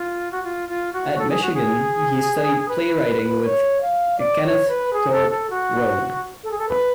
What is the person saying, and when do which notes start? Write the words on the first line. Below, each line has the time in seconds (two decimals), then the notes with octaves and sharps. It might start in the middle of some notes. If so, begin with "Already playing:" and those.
At Michigan, he studied play-writing with Kenneth Thorpe Rowe.
Already playing: F4
0.32 F#4
0.44 F4
0.69 F4
0.93 F#4
1.18 A4
1.30 G#4
1.42 F#4
1.53 G#4
2.68 B4
3.44 C#5
3.81 F5
4.19 D5
4.44 C#5
4.69 B4
4.93 G#4
5.12 A4
5.31 A4
5.50 F#4
6.44 A4
6.51 G#4
6.59 A4
6.69 B4